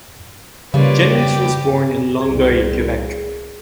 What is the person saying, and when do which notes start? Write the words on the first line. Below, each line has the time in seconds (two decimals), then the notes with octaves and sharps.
Jennings was born in Longueuil, Quebec.
0.74 C#3 G3 A#3 C#4 F4 B4 D5
1.11 G4
2.21 C2 G#4